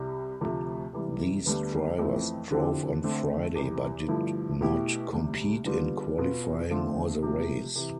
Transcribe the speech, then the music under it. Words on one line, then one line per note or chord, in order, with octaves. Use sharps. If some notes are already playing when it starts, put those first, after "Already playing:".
These drivers drove on Friday but did not compete in qualifying or the race.
Already playing: C2 C3 G3
D2 C3 F3 A3
C3 E3 G3
D2 D3 G3 B3
F2 E3 A3 C4
D3 F3 C4 E4 G4
D3 A3 C4
E2 C3 E3
G2 D3 F3 A3 E4
B2 A3 E4 G4
D2 C3 G3
D3 G3 B3 F4
B2 B3 F4
D3 F3 A3 C4 F4
C3 F3 A3
C3 E3